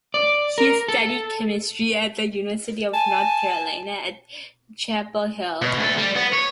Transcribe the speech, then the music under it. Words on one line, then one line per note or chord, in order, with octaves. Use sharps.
He studied chemistry at the University of North Carolina at Chapel Hill.
D5
A#4
A4
G#5 A5
B2
D2 A4
G3
B3
C#5